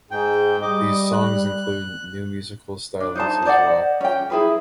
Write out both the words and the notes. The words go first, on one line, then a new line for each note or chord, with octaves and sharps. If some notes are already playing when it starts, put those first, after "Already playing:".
These songs include new musical stylings as well.
G#2 G#4 G5
G3 D#5 D6
F#6
D4
D#4 C5 A5
C5 D5 D#5 F#5
C#4 G5
E4 G#4 B4